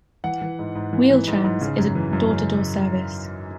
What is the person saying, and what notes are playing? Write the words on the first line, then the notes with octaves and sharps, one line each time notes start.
Wheel-Trans is a door-to-door service.
E3 F#5
E3
G#2
G#2
E3
E3
G#2
G#2
C#3
F#2
E3
F#2
C#3